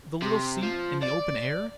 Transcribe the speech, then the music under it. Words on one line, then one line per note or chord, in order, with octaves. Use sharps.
The little seat in the open air?
C3
F3
D5